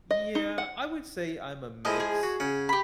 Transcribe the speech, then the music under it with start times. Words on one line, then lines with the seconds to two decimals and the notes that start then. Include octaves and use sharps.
Yeah, I would say I'm a mix.
0.11 D#5
0.35 D#4
0.58 F#5
1.85 F3 G#3 E4 D#5
2.00 G#4
2.23 F#4
2.40 C#3 C#4 F#5
2.69 G4 B5